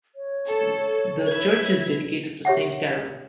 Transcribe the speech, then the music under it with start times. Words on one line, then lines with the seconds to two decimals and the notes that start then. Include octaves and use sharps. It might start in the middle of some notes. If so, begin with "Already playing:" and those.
The church is dedicated to Saint Caron.
0.15 C#5
0.46 A4
1.29 B4 E5 G#6
2.45 G4 C#5 E5 F#5